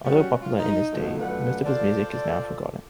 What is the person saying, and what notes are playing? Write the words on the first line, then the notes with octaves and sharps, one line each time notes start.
Although popular in his day, most of his music is now forgotten.
F#3 G3 C#4 F#4
F4
D#4
D3 D#3 F3 F#3 A3 B3
F#2 A3 D4 F4 B4 F#5
F4 A4 C5 D5